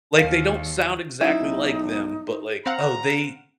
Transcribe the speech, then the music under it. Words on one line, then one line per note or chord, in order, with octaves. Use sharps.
Like they don't sound exactly like them, but like, "Oh, they
D#2 F5
F#2 D#4 E4
B1
C4 F5 F#5 A#5